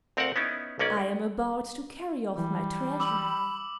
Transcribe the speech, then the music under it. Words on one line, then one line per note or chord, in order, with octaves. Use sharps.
I am about to carry off my treasure.
D2 C4 A#4 C5 F5 F#5
B3 C#4 D#4 E4
B1 A#3 C#4 D5
E3 F#3 G3
B5 D6 E6 F#7